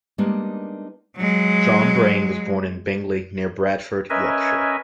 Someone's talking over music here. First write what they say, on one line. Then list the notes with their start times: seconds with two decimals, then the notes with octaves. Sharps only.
John Braine was born in Bingley, near Bradford, Yorkshire.
0.18 G3 G#3 A#3 B3 D4 D#4
1.17 F#3 G#3
4.10 C#4 A#4 B4 D#5 E5 G#5